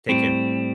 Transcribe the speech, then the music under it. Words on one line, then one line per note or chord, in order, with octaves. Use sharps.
Take care.
A2 G3 C4